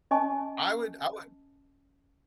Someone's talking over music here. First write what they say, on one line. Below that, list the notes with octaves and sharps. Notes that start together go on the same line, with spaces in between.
I would I would
C#4 D#5 G#5 A5 C#6